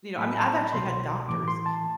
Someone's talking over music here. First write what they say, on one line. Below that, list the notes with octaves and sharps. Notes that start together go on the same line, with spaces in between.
you know, I mean, I've actually had doctors
A2 F#3 A3 B5
A5
B5
C2 B2 F#3 C6
A2 E3 A3 D6
C6
A5